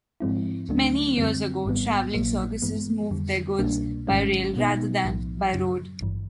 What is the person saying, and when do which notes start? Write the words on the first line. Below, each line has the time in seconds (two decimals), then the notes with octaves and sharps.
Many years ago, travelling circuses moved their goods by rail rather than by road.
0.20 G#2 F3 G#3 C4 E4
0.69 D2 D3 F#3 A3 D4
1.17 F#2 D3 G3 C4
1.65 G#1 G#2 E3 G3 B3
2.14 A#1 A#2 F#3 A#3
2.62 G2 E3 G#3 B3
3.11 F2 D3 G3
3.59 C2 B2 G3 A#3 D4
4.07 G#1 G#2 D#3 G#3 C#4
4.56 B2 G#3 B3 D#4
5.04 B1 A2 F3
5.53 F#2 C#3 F#3
6.01 G#1 G2 E3